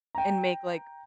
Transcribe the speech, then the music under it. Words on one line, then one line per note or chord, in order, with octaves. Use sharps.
and make, like,
G5 A#5